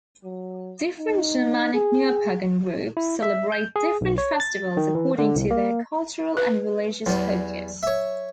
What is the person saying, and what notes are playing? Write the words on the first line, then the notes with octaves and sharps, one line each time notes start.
Different Germanic Neopagan groups celebrate different festivals according to their cultural and religious focus.
F#3
D#4
G#4
E4
E5
G6
G#4
B1
C#5
A6
D#3
E3
D3
C2
A#3
B4
E2 F#3 G3
C#5 E5